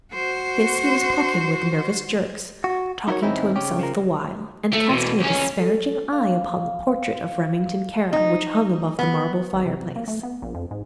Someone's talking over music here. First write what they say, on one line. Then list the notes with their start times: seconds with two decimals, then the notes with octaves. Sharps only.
This he was plucking with nervous jerks, talking to himself the while, and casting a disparaging eye upon the portrait of Remington Kara which hung above the marble fireplace.
0.14 F#4 C5
2.64 F#4
3.08 D#4 E4 F#4 A4 A#4 C#5
3.23 G#2 D#3 C4 C#4 D#4 E4
3.56 C#3 C#4 G4
3.79 C#3 F3 A#4
4.73 A3
4.89 B2 E3
5.21 C2 C#4
5.59 A4
6.13 F5
8.13 D#4
8.99 B3
9.53 G#1
9.66 C3
9.96 A#3
10.08 A3
10.23 B3
10.42 A#1
10.55 F2
10.71 G#2